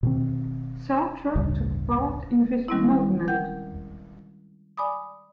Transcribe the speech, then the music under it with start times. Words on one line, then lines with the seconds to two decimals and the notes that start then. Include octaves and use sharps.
Sartre took part in this movement.
0.03 B2 D#3 C4
1.36 A1 D2 G2 C#3
2.68 D#3 G3 G#3 C4 C#4 E4
3.28 A#4 F#5 G5 G6
4.77 D5 G#5 B5 D6 D#6